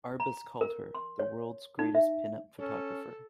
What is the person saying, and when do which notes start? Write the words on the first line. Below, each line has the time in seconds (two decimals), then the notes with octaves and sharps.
Arbus called her, the world's greatest pinup photographer.
0.20 A#5
0.61 A#4
0.95 C6
1.19 C#5
1.79 D#4
1.95 E5
2.59 C#4 A4